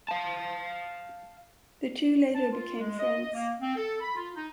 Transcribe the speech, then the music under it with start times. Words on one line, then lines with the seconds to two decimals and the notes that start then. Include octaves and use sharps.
The two later became friends.
0.09 F5 A5
2.35 A5
2.52 F4
2.79 G#3
2.98 D#5
3.34 A#3
3.61 C4
3.76 A4
4.01 B5
4.15 F4
4.35 D#4